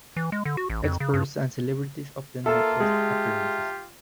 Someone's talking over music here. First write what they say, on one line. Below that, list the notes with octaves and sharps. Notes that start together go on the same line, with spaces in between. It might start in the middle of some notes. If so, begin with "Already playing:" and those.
Experts and celebrities often make guest appearances.
E3
G#3
D3
F#4
A1
F2
C#3
G2
A#3 F4 A4 E5 A5
G#3 G4